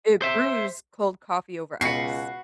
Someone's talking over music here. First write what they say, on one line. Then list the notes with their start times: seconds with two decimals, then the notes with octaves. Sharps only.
it brews cold coffee over ice.
0.22 C5 E5
1.81 C#2 B2 F#4 B4 C7 C#7